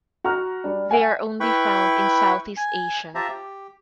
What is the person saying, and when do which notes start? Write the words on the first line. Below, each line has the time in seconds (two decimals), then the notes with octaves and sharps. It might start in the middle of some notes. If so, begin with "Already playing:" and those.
They are only found in Southeast Asia.
0.24 F#4 F#5 A#5 C#6 F6
0.64 G3 D4
0.91 E5 F#5 G#5
1.40 E4 B4 G5 B5 C#6
2.57 G#5
3.15 F4 G4 C5 E5 A5 A#5
3.29 G4